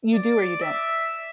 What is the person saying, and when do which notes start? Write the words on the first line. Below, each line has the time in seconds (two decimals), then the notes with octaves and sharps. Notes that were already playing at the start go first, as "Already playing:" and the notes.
You do or you don't?
0.14 D5
0.62 E5